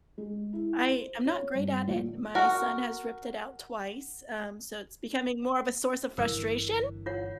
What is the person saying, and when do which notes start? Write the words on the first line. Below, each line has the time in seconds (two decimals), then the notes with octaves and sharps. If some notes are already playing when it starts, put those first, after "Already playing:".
I I'm not great at it. My son has ripped it out twice, um, so it's becoming more of a source of frustration,
0.18 G#3
0.53 E4
0.87 C5
1.25 C#5
1.55 G2
1.87 A#1
2.35 F#4 A#4
6.18 G1 D3 E3 A#4
7.06 F4 C#5 F#5